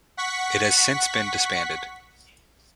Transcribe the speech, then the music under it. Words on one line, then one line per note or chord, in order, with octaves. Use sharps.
It has since been disbanded.
F#5 C#6 B6